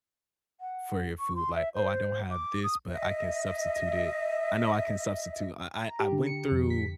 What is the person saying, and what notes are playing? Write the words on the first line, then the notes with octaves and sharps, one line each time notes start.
for your food? Like, "Oh, I don't have this, but I can substitute it I know I can substitute." I I I went through
F#5
C#6
C6
E5
C5
D6
D#6
D#5 E5
A#5
G4
D3
C#7
F2
B6